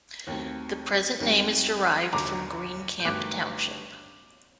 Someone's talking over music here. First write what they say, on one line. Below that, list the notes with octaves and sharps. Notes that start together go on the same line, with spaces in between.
The present name is derived from Green Camp Township.
D#2 D#3 F#3 A3 C4
D#2 D#3 G3 C4
D#2 D3 F#3 A#5 D6
G6
G1 G2 D#3 F#3 A3 D6 F#6